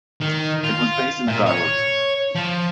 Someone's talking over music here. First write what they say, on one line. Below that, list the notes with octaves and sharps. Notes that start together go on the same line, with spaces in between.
It was based in Agaro.
D#3
F4
A#2
C#5
F3